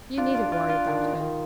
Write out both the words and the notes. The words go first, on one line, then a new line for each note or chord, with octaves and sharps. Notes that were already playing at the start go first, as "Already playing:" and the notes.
You needn't worry about her.'
D4 F4
F4
F4
F4
D#3
D#3
D#3